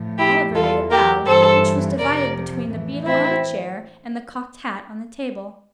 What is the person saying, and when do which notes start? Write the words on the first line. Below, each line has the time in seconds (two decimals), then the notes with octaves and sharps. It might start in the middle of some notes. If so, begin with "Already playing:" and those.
Oliver made a bow, which was divided between the beadle on the chair, and the cocked hat on the table.
Already playing: A2 F3
0.18 E4 G4
0.54 E2 E3 F4 A4
0.90 G4 A#4
1.26 G2 E3 A4 C5
1.99 F2 C3 F3 A#4 D5
2.70 A2 E3
3.06 C4 E4